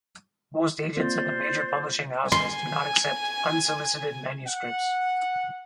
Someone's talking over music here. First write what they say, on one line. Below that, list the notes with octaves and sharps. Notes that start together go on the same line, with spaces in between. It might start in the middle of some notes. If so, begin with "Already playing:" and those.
Most agents and the major publishing houses do not accept unsolicited manuscripts.
A#3 C4 F4 C5 D5 C6
G#5 C6
F#5